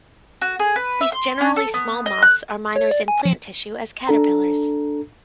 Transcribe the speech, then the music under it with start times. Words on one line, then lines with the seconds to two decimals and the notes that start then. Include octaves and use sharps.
These generally small moths are miners in plant tissue as caterpillars.
0.42 F#4
0.59 G#4
0.76 B4
1.01 E5
1.12 C6
1.41 C#4
1.56 A4
1.74 B3
2.06 D#5
2.22 F#6
2.76 C#5
2.91 D5
3.08 G#5
3.25 F3
4.07 D4 A4 A#5